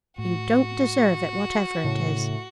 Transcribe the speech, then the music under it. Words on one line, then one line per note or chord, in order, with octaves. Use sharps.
You don't deserve it, whatever it is.
A2 F#4
A2 C#3